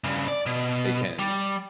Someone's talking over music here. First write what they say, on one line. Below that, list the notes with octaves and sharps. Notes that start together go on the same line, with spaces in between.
they can
G2 C#3
D5
B2
G3